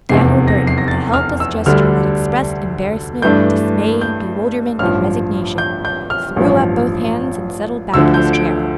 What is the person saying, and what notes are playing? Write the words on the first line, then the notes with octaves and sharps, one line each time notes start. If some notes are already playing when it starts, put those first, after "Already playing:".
Daniel Burton, with a helpless gesture that expressed embarrassment, dismay, bewilderment, and resignation, threw up both hands and settled back in his chair.
F1 E2 C3 C7
A#6
C7
A#6
A6
F6
E6
D2 D3 G3 D4 F6
G2 E3 A3 D4 G6
G6
A1 G2 F3 F6
G6
G6
F6
A1 G2 F3
D2 D3 F3 E6
G6
D7